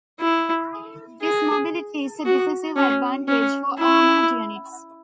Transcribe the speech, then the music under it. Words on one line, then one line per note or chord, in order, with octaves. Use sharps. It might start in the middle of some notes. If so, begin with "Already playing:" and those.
This mobility is a decisive advantage for armored units.
E4
G#4
F#4
C#4
C#4
E4